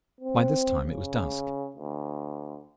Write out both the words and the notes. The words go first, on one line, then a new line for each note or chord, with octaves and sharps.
By this time it was dusk.
C4
C#3
D2